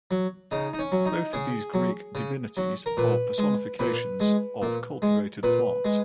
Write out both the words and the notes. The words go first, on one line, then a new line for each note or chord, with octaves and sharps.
Both of these Greek divinities are personifications of cultivated plants.
F#3
C#3 D#4
D#4
C#4
F#3
D#4
C#3 G#4
F#3
C#3
F#3
A#4
A#2 B4
G#3
A#2 B4
G#3
A#2
G#3
A#2 B4
G#3